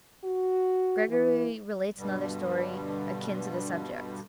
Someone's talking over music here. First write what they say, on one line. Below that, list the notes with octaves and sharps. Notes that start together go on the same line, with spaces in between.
Gregory relates another story akin to the subject.
F#4
E3
G2 B2 D3 G3